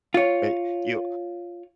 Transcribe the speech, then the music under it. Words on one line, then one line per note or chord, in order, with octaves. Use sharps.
eh you
F4 C#5